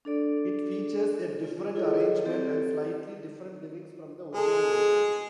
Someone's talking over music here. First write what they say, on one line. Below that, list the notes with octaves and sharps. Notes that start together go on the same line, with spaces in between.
It features a different arrangement and slightly different lyrics from the original version.
D4 A4 D5
F4
E4 F4 G#4 A4 C#5 D#5
C4 G4 A4 D5
G#3 G#4 A4
G#4